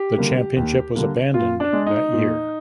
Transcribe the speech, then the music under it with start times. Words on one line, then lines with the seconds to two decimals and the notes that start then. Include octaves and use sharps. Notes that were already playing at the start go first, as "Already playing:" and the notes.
The championship was abandoned that year.
Already playing: G4
0.17 D3 G3 A#3
0.56 D#2
0.95 D3 G3 A#3
1.34 A#2 F4
1.60 D4
1.73 G#3
1.86 D#4
2.13 A#2